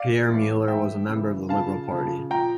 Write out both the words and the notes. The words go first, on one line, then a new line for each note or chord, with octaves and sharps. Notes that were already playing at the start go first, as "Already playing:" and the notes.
Pierre Muller was a member of the Liberal Party.
Already playing: D5 F5
A2 E3
A2 E3 E5 G5
C#3 E3
C#3 F3 F5 A5
C#3 F3
A#2 F3 G5 A#5